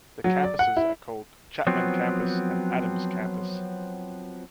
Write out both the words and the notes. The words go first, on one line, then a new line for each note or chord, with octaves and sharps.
The campuses are called Chapman Campus and Adams Campus.
F#3
D5
F#5
E4
F3 F#3 B3 C4